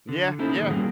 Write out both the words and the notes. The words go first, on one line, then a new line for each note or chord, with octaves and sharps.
Yeah, yeah.
D3
A#3 C#4 D#4 E4 A4 C5
A2 D#3 F#3 A#3 G#4
G3 A#3 C#4 F4 F#4